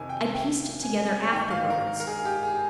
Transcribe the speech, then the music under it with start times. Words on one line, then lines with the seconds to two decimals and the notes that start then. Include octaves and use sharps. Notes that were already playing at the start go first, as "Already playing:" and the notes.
I pieced it together afterwards.
Already playing: F2 C3 D#3 G#5
0.09 G5
0.34 G5
0.83 G#5
1.09 G#5
1.32 G#2 D#3 G5
1.50 F5
1.70 A#4
2.00 A#4
2.07 G#4
2.25 G4
2.43 G#4